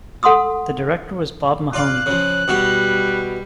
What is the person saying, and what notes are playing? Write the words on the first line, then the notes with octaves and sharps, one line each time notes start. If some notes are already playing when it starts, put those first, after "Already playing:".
The director was Bob Mahoney.
A4 F#5 C6 D#6 E6
F4 D5 F5 F#6
C#3 F3
B2 G3 F#4